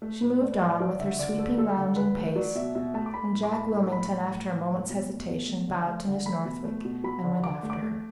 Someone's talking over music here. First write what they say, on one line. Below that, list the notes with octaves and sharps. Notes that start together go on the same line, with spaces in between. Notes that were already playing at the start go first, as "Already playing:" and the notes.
She moved on, with her sweeping, lounging pace, and Jack Wilmington, after a moment's hesitation, bowed to Miss Northwick and went after her.
A3
A2 B4
A3 D5
B4
A2 D5
F#3 D5
D3 E5
D3 D5
A3 A4
F#3 A4
D3
D3 B4
A3
F#3 D5
B2 E5
B2 E5
A3 A5
D6
A3 B5
A2
D6
A3 B5
A2
A3 B5
A2
A3
A2
A3
B2
A3
B2
A3
D3
A3
D3
A3 B5
B2
A3
B2
F#3 B5
D3
D3 D6
A3
D6
A3